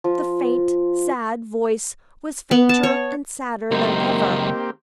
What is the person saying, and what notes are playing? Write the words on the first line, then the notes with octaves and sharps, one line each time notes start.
The faint, sad voice was fainter and sadder than ever.
F3
B3
A5
C#5
C#2 F#2 D#3 A#3 C4 G4